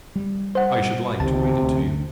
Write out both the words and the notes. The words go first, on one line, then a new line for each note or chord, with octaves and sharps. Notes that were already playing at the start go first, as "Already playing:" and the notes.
I should like to read it to you.
G3
C5 F#5
C#2 C3 D#3 A5
D2